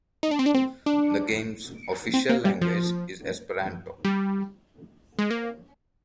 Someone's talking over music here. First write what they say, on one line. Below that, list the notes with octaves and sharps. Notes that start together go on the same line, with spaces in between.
The game's "official language" is Esperanto.
D#4
D4
C4
D4
C4
D4
C4
A#3
G3
F3
G3
G#3
A#3